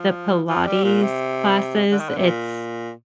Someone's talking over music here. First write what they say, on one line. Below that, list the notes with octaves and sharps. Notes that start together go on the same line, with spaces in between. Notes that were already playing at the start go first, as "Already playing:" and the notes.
the Pilates classes, it's
Already playing: F3
F3
G3
A#2
C3
D3
D#3
D3
C3
A#2